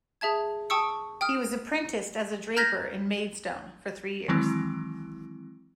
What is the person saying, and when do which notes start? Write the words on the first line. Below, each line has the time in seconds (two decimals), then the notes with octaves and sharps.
He was apprenticed as a draper in Maidstone for three years.
0.21 G#4 E5 A5 G#6
0.70 G5 A5 C#6 D#6 E6 C#7
1.21 G5 D#6 F6
2.56 A#5 F6 G6 G#6 A#6 B6
4.28 D#3 E3 F#3 G#3 C4 E4